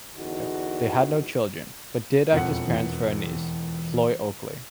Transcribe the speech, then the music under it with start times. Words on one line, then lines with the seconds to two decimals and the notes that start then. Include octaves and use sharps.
They had no children, but did act as parents for a niece, Floy Oakley.
0.16 E2 D3 D#4 F#4
2.33 E1 F2 F#5
2.67 E3